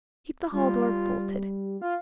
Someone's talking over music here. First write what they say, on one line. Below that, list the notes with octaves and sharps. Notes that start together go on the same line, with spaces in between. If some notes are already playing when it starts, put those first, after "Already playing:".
'Keep the hall-door bolted.
G3 F4
F4 F5